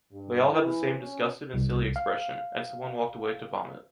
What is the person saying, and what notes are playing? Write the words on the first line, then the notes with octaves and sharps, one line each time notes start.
They all had the same disgusted and silly expression, and someone walked away to vomit.
G2
E3
C#4
C2
F5